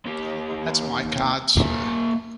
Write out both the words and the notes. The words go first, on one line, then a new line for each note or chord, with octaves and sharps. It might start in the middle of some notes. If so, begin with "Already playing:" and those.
That’s my card, sir.
D#2 G4
A#3 E5